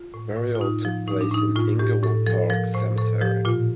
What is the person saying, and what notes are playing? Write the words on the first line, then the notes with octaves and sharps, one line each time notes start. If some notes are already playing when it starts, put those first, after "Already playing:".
Burial took place in Inglewood Park Cemetery.
Already playing: F4
A2
A2
F4
A2 D#4
F3
A2 D#4
D4
A2 D#4
A2 F4
A2 G4
A2 A4
F3 A4
F3 A#4
A2 C5
A2 A4
F3 G4
A#2 F4